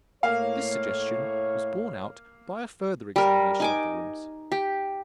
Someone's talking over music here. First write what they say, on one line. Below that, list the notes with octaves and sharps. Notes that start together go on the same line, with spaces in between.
This suggestion was borne out by a further examination of the rooms.
A2 A#3 C#5 F5
G3 A#4
D#4 G#5 D6
G4